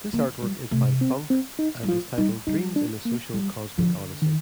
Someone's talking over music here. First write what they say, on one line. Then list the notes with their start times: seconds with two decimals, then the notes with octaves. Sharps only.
This artwork is by :phunk and is titled "Dreams in a Social Cosmic Odyssey".
0.13 D#3 A#3
0.42 F3 G3
0.71 C3 A3
1.01 C4
1.30 C4
1.59 D#4
1.83 G3
1.89 F3 F4
2.18 G3 D#4
2.47 G3 D#4
2.76 D4
3.05 A#3
3.34 F3 G3
3.78 D3 F3
4.22 D#3